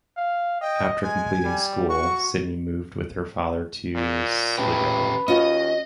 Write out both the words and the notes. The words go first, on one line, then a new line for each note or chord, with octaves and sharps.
After completing school Sydney moved with her father to Sligo.
F5
D#5 G5
G#3 G#5
G3
F#4 C#6
A#2
C#2 C#4 G4 B4 G5
D#2 C#4 F4 F#4 D#5